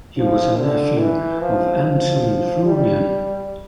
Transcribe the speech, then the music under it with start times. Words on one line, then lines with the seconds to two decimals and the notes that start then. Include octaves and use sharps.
He was a nephew of Anton Florian.
0.17 F3
0.58 D3
1.00 E3
1.41 F3
1.83 F3
2.65 G3